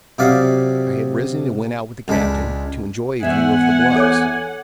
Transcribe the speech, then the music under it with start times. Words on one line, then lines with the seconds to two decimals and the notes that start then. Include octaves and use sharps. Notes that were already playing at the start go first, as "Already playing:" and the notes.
I had risen and went out with the Captain, to enjoy a view of the bluffs.
0.18 C3 F#3 D5 E5 F5 D#6
2.08 C#2 G#3 D4 B5
3.23 E2 E5 F#5 G#5
3.96 A4 C#5 D6